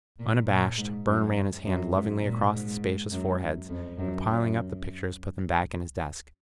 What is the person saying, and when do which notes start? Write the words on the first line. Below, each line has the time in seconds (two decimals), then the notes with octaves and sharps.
Unabashed, Burne ran his hand lovingly across the spacious foreheads, and piling up the pictures put them back in his desk.
0.19 A#2
0.49 A#2
0.77 G#2
1.07 F#2
1.65 F#2
1.94 G#2
2.23 A#2
2.52 G#2
3.11 F#2
3.69 F2
3.98 F#2
4.27 F#2